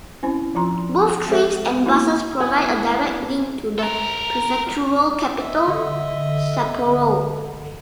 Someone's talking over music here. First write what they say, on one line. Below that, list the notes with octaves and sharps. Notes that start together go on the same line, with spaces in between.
Both trains and buses provide a direct link to the prefectural capital, Sapporo.
C4 C#4 E4 C5
F3 F4 A#5 C6
G#3 C4 A4 C5 E5
A#3 E4 F#4
B3 E4 G#5
A4 A#4
D#5 E5
D3